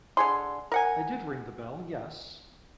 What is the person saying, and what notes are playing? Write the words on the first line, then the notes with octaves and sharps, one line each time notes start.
I did ring the bell, yes.
D3 G#4 C6
A#4 F#5 G#5